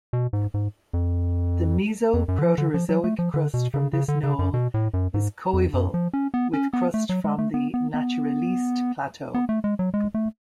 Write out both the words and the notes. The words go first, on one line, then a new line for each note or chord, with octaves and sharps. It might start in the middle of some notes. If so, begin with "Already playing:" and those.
The Mesoproterozoic crust from this knoll is coeval with crust from the Naturaliste Plateau.
B2
G#2
G#2
F2
F2
F#2
D3
F3
D3
F3
F#3
A3
F3
D3
B2
C#3
C#3
D3
C#3
F#2
B2
A2
F#2
G#2
F2
F#2
F3
C#4
B3
C#4
B3
A3
F#3
G#3
A3
B3
B3
B3
B3
A3
G#3
F#3
G#3
A3